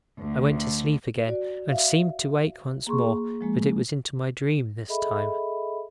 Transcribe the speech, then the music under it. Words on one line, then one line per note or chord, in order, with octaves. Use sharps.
I went to sleep again, and seemed to wake once more; but it was into my dream this time.
D2
F#4 D5
E5 F5
A#3 G#4 C6 C#6
F3 G#3 A#3
G#4 A4 D#5 E5 B5